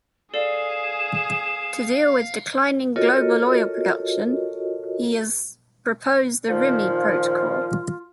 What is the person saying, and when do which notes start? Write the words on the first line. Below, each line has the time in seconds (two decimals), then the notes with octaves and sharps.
To deal with declining global oil production, he has proposed the Rimini protocol.
0.34 G#4 A4 D5 F5 E7
2.96 F4 F#4 A4 A#4 C#5 D#5
6.49 A#2 D#3 F3 F4